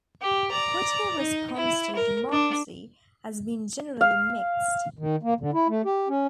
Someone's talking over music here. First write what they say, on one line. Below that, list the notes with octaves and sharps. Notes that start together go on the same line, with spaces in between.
Critical response to "Democracy" has been generally mixed.
G4
D5 A#5
D#4
E4
A#4
D4
F5
D#3
A#3
D3
E4
A3
G4
C#4